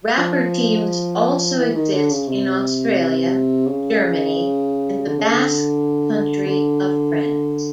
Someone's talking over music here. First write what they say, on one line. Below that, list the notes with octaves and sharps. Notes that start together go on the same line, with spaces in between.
Rapper teams also exist in Australia, Germany and the Basque Country of France.
F3
E3
D#3
D3
C#3
C3
C#3
D3
C#3
D3
D3